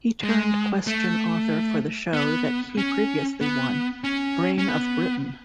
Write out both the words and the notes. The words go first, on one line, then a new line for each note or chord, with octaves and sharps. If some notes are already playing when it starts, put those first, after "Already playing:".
He turned question author for the show that he previously won, "Brain of Britain".
G#3
A3
B3
C#4
B3
C#4
C#4
B3